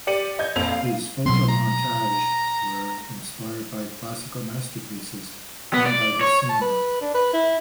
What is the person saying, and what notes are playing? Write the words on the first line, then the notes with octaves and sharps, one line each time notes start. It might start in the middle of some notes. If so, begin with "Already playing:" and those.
His photomontages were inspired by classical masterpieces and by the cinema.
G4 D5 C#7 D#7 F#7
D#5 G6 G#6
A#1 F2 C4 F7
F5
B2 F#3 C4 C6
A#5
B3
D5
C#5
A5
B4
D4
B4
E4